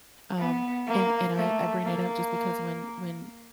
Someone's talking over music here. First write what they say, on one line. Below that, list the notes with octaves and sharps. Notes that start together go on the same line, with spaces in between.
Um, and and I I bring it up just because when when,
B3
A#3
A3
A#3